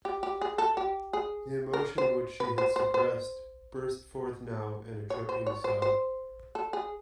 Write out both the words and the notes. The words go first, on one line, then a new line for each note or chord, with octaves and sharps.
The emotion which she had suppressed burst forth now in a choking sob.
G4
G4
G#4
A4
G4
G#4
A#4
C5
B4
C5
C5
C5
C#5
C5
C#5
C5
C5
A4
G#4